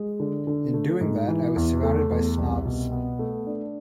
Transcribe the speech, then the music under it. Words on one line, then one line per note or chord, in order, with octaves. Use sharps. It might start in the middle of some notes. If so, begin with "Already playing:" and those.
In doing that, I was surrounded by snobs'.
Already playing: G#3
D3
D3
A3
G#2
E3
E2
A3
E2
C2
B2
B3
A3
D4